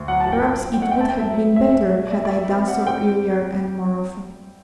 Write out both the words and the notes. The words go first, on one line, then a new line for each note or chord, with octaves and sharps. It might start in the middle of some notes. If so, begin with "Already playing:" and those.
Perhaps it would have been better had I done so earlier and more often.
Already playing: D2
F#3 F#5
A5
G1
G5
F#3
C4
G5
A3 F#5
G5
C4 A5
G5
F#3 E5
B3
F#3 E5
B1
B2
D5
G3 E5
D5
A3 E5
C4
G3 F#5
C4 G5